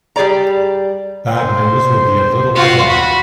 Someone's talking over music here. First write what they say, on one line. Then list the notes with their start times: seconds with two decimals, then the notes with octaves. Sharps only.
Bad news will be a little the better.
0.16 G3 G#4 C#5 D5 A#5
1.34 C5
2.55 F4 F#4
2.88 F#4 B5